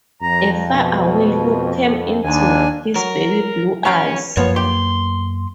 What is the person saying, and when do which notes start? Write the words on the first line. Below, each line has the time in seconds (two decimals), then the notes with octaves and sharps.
A far-away look came into his baby-blue eyes.
0.22 F2 A#5
0.69 B2
2.24 D#2 D4 G#5
2.96 F#3 A#4
3.85 C#4 C#5 F5 G5
4.37 F#2 F3 A#3 B3 C#5
4.56 G4 C6